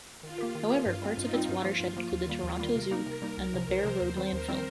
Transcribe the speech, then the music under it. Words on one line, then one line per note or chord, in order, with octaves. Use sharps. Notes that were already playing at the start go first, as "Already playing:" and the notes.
However, parts of its watershed include the Toronto Zoo and the Beare Road Landfill.
D#3 F4
A#3 G4 A#4
D#3
A#3 G4 A#4
G2
G3 C4
G2 D#4
G3 C4
G2 F4
F3 A#3
G2
F3 A#3
D#2
D#3 G3 A#3
D#2 F4
D#3 G3 A#3
C3 A#4
G3 A#3 D#4
C3
G3 A#3 D#4
C2
C3 F3
C2 C5
C3 F3
D#2
D#3 G3 C4
D#2 A#4
D#3 G3 C4